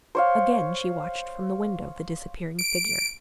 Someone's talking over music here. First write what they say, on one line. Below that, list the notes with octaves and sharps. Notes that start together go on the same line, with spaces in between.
Again she watched from the window the disappearing figure.
C5 C#5 F5
D7